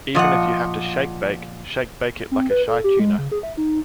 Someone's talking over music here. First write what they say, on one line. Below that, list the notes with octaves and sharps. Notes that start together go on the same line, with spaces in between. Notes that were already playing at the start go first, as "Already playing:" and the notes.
Even if you have to shake-bake shake-bake it like a Shy Tuna.
A#2 F3 D#5 F#5
C4
B4
A4
G4
G#3
C#3
G#4
E5
D#4